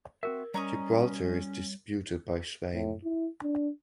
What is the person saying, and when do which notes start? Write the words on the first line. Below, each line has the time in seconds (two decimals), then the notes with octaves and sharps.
Gibraltar is disputed by Spain.
0.23 C4 F#4 A#4 E5
0.54 G3 C#4 C#5 D#5 A#5 C#6 D#6
2.73 A2
3.04 E4
3.42 D4